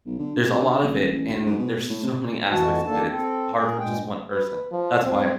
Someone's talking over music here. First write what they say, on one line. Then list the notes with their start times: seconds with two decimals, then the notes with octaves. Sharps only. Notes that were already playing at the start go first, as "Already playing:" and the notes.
There's a lot of it, and there's so many aspects of it, it's hard for just one person. That's why
0.06 B1
0.19 D3
0.36 C3
0.61 D3
0.82 D#1
1.11 A1
1.29 D2
1.46 G#2
1.59 B2
1.90 A2
2.03 C3
2.50 F2 E3 F#4 A5
2.86 E2 D#3 A#3 D4 A4 A5
3.10 C4 A4
3.56 A#2 G#4 A#4
3.79 G2 A#2 G#3 G5
4.31 B4
4.72 F3
5.03 C4